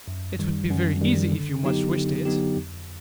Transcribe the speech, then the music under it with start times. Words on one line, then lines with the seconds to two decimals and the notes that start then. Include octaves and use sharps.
"It would be very easy if you much wished it?"
0.08 F#2
0.39 D#3 G3
0.70 F#2
1.01 D#3 G3
1.32 D3
1.64 F#3 B3 D#4 G4
1.94 D3
2.25 F#3 B3 D#4 G4
2.56 F2